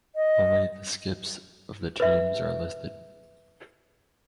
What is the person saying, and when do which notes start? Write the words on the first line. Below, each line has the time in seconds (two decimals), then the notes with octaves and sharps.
Only the skips of the teams are listed.
0.15 D#5
2.00 B4 E5